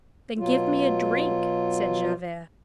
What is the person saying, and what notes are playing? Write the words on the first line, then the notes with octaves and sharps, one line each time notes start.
"Then give me a drink," said Javert.
B2 F#3 F4